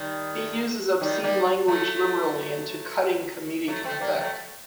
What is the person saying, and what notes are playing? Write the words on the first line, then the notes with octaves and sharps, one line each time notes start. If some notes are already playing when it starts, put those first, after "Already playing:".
He uses obscene language liberally and to cutting comedic effect.
Already playing: D#3 G3
D#3 G3
G3 A#3
F#3 A3
F#3 A3
A3 C4
G3 A#3
F#3 A3